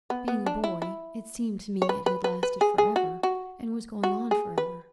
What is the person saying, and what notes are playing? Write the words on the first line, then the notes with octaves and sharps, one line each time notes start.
Being a boy, it seemed to me it had lasted for ever, and was going on for ever.
B3
B3
D4
E4
E4
C#5
B4
B4
B4
B4
G#4
G#4
F#4
F#4
F#4
G#4
B4